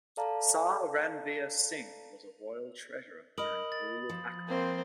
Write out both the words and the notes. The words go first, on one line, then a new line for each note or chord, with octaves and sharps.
Sah Ranveer Singh was a royal treasurer during the rule of Akbar.
A4 D5 F5 A5 A#5
A#4 D#5 B5 D#6 F#7
A6
F3
A#3 C4 C5